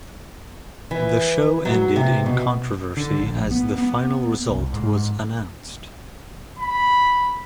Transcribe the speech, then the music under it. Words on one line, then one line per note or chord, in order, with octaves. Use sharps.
The show ended in controversy as the final result was announced.
E3
F#3
C3
B2
D3
A#1
B3
B3
C2
G#2
B5